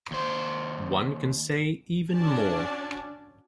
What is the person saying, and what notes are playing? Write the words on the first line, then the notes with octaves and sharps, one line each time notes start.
One can say even more.
D#2 C5
C#4 D4 F#4 D5 G#5 A5